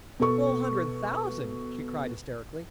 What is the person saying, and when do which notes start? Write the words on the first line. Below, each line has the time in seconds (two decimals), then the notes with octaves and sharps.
"Full hundred thousand?" she cried, hysterically.
0.20 B2 A4 C#6